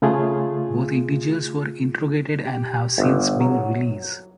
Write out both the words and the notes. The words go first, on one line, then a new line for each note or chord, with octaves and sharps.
Both individuals were interrogated and have since been released.
C#3 A3 F4 G#4
G4
G1
F#3